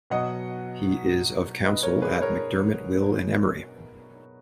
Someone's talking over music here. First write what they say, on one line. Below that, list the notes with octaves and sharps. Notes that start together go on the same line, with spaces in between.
He is of Counsel at McDermott Will and Emery.
B2 F#3 D#5 F#5
B4 D#5
A#4 C#5
G#4 B4
A#4 C#5